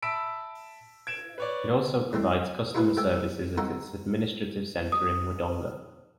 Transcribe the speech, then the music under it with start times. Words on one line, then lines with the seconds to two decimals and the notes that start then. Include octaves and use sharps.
It also provides customer services at its administrative centre in Wodonga.
0.02 E5 A5 B5 E6 B6 D7
1.07 G#6 D7 E7
1.38 B4 C#5 D5
2.13 E2 G#3 A3 C4
2.75 B2 E4 F4 G#4 B4
2.97 A3 G4 E5 G#5
3.58 C4 D#4 F4 A4 F#5 G#5
4.92 D#6